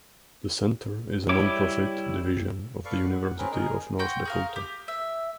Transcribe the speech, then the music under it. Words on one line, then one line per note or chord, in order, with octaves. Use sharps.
The center is a nonprofit division of the University of North Dakota.
G3 E4 C#5 D6
A4 B4 D5 F5 C#6
F#5
C4 C#4 G#4 A#4 B4
D#4 G#4 A#4
F#4 G5 C6 G6
G#4 A#4 F5
G4
E5